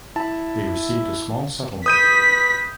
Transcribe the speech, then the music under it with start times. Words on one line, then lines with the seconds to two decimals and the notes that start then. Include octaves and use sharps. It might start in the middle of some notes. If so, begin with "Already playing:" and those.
They received a small settlement.
0.16 E4 A5
1.86 B4 D#6 G6 B6 D#7